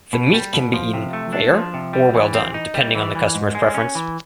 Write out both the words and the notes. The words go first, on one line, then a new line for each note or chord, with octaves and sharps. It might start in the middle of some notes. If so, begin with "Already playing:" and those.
The meat can be eaten rare or well done, depending on the customer's preference.
B2
G3
B2
F3
C3
A3
D4
F3
C3
G3
E3
C4
D#4
G3
E3
E3
G#2
G#3
C#4
E3